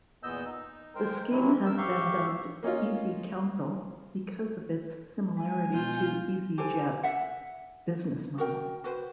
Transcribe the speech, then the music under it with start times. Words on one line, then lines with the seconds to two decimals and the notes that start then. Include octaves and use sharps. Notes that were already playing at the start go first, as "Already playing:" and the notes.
The scheme has been dubbed easyCouncil because of its similarity to EasyJet's business model.
0.23 E2 A#2 B3 D#5 E6 G6
0.46 D#4
0.95 G#3 A#4 C5 G5
1.31 C3 D#3 E3 F#3 G#3 E4
1.66 C3 A#4 E6
1.78 G#2 G4 E5 F5 C#6 G6
2.63 A#3 C#4 D#4 F4
5.37 G#3 G#5
5.73 B2 F4 G6
6.58 G4 A4 C5 G#5
7.03 E5 F#5
8.38 F#4 A#4 G5
8.84 F#4 B4 C5